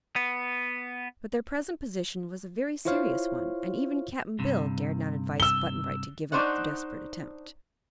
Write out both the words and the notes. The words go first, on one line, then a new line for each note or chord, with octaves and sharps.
But their present position was a very serious one and even Cap'n Bill dared not advise Button-Bright to give up the desperate attempt.
B3
E4 F4 C5 C#5 F5
G2 C3
E6 G7
D4 D#4 C5 C#5 F#5